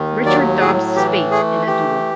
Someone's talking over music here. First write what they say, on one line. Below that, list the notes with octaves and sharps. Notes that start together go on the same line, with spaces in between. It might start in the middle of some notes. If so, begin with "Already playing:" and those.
Richard Dobbs Spaight in a duel.
Already playing: D#2 D#3
F#3 D5
A2 G#4
E3 G4
A3 G#4
E3 G4